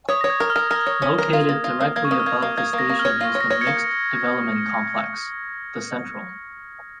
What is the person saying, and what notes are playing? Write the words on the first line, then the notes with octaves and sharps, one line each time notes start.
Located directly above the station is the mixed development complex, The Central.
C#5 D#6
C#5 A#6
G#6
A#4
F6
A#4
A#4
C#5
C#4
A#4
F4
A#3
F4
A#3
A#3 G#6
C#6
A#3 D#6
F6
A#3 G#6
A#3
A#3 G#6
A#3
A#6
A#3
F6
C#5
F4 G#6
C#5
A#6
C#5
G#6 C#7
A#3